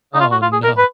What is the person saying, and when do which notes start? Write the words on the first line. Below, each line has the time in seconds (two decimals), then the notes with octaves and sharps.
Oh, no.
0.14 D#4
0.20 F4
0.32 F#4
0.42 F4
0.52 G#4
0.64 A#4
0.77 B4